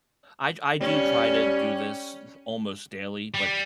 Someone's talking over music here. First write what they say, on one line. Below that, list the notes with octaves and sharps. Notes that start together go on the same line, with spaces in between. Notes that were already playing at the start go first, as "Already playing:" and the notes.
I d I do try to do this almost daily, but,
G3 C#4
G3